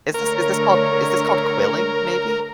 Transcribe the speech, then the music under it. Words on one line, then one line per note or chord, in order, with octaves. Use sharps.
Is this is this called is this called quilling maybe?
D3 A3 A#4 C#5